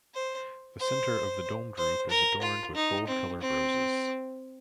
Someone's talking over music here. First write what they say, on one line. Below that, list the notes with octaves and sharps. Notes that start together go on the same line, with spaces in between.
The centre of the domed roof is adorned with gold coloured roses.
C5
C5
C5
A#4
F4
D#4
C4
C4